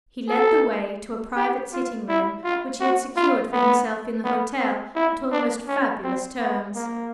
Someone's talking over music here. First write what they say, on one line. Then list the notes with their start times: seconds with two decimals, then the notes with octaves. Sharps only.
He led the way to a private sitting-room which he had secured for himself in the hotel at almost fabulous terms.
0.28 A4
1.36 G4
1.73 F4
2.08 E4
2.45 F4
2.80 F#4
3.17 F4
3.53 B3
4.24 B3
4.60 C4
4.96 E4
5.32 D4
5.68 C#4
6.04 C4
6.40 B3
6.75 A#3